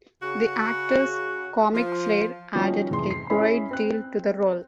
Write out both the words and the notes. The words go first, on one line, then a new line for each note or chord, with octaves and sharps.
The actor's 'comic flair added a great deal to the role.
C#3 F#4
F3
F3 G3 C#4 D#4 F#4
F1 E3 G#4 C6
C7
C#4 E4 G#4 C#5 B5
C4 F#6